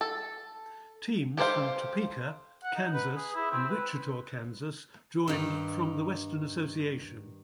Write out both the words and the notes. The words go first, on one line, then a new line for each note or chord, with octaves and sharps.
Teams from Topeka, Kansas, and Wichita, Kansas, joined from the Western Association.
A4
G4 A4 A#4 C5 F5
F#5
D#4
B4
G#4
E4
C4
B4
G2 D#3